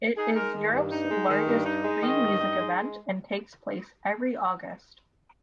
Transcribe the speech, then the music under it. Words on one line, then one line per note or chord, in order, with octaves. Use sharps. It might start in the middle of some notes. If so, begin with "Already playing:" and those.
It is Europe's largest free music event and takes place every August.
D#4 G#4
G#3 A#4
D#3
G2
D#4
G#3
D#3
G2
D#4
G#3
D#3 D#5
G2
D#4
G#3